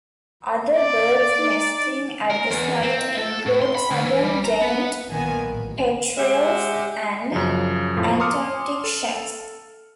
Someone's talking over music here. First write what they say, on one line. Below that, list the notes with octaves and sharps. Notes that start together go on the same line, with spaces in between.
Other birds nesting at the site include southern giant petrels and Antarctic shags.
D5
D#4
A#4
E2
C4
A4
A2
C6
B5
D2
E3
G3
A#5
B3
B1 A#2 D#3 B3 G#5
A1
G#3 G4 E5 F#5
F#2 C#3 F3
F2 A2 F3
A5 C6 D6 D#6 F6 C#7
A4